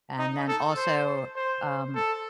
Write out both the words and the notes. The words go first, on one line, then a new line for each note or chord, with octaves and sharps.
and then also, um,
D#4
A4
C5
C5
A4